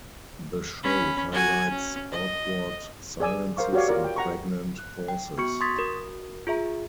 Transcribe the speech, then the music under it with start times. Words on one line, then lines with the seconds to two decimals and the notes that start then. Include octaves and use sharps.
The show highlights awkward silences and pregnant pauses.
0.83 C#4 B5
1.32 F#4 G#5
1.69 C#4
2.12 D#5
3.20 G#4 D5 G#5 E6
3.56 A#4 C5 F5 C#6 D6
3.73 F#4 G4 C#5 D5 F5
3.88 F4 A#4 D5
4.04 G5
4.16 F#5 A#5 C#6
4.79 F#6
5.08 G5
5.38 B3 F#4 C#6 C#7
5.61 C6 C#6 D#6 G#6 A6 B6
5.78 F#4 A#4
6.47 F4 G#4 E5 A#5